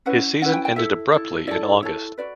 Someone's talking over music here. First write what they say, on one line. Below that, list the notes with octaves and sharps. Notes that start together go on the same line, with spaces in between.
His season ended abruptly in August.
C#4 E4 B4 F#5
C#4 E4 B4 F#5
G5
G5
E4 A4 E5
E4 A4
E4 A4 D5
E4 A4 C#5
F#4 B4 D5